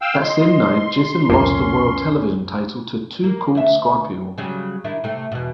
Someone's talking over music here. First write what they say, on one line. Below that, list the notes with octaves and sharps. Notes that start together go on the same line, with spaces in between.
That same night, Jason lost the World Television Title to Too Cold Scorpio.
F5 G5 E6
D#5 C6
C2 F2 A#2 C#4
A#3
D2 E5
C#3 F#3 G3
D#3 D4 E4
C3 A3
E2 B2